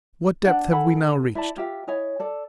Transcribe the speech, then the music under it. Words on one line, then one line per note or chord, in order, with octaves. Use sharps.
"What depth have we now reached?"
D4 F#5
A4 F#5 G#5 B5
E4 D5 A5
F4 G4 E5
E4 C#5 D#5 G#5
A4 D5